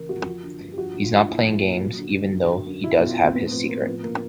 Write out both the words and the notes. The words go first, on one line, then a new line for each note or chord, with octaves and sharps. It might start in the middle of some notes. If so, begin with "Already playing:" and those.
He's not playing games, even though he does have his secret.
Already playing: C#3 E3 A#4
F2 F#4
F3
D3
G2
G4
F3 F#4
D3
F4
G2
A#2 E4
F3
A#2
F#3
D3
G2
F#3
D3
F#2
F#3 E4
B2
F4
E2
C4
A2 B3
C4
F3 B3
A2 A#3
F3 B3
D3 A#3